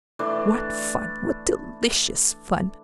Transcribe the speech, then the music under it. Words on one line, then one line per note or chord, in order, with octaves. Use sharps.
What fun--what delicious fun!
E3 A3 D4